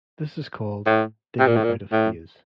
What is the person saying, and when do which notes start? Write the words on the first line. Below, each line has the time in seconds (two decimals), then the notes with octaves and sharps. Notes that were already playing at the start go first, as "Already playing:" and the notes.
This is called "digging out of phase".
0.86 A2
1.39 C3
1.47 A#2
1.56 A2
1.64 A#2
1.92 A2